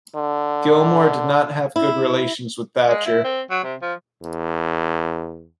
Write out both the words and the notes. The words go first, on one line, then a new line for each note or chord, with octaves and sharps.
Gilmour did not have good relations with Thatcher.
D3
E4
G#3
E4
C4
F#3
C3
F3
E2